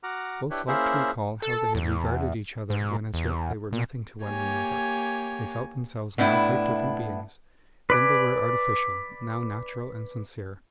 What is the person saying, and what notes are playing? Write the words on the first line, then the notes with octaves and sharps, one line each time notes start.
Both liked to recall how they had regarded each other when as yet they were nothing to one another; they felt themselves now quite different beings: then they were artificial, now natural and sincere.
F#4 F#5 A#5 D6 F6
D4 E4 G4 B4 C#5
A#3 C#4 E4 G#4 C5 E5
A4
E2
G#2
E2
A#2
A#3 G4 C#5 G#5
A2 B3 D4 E4
B4 D5 G#5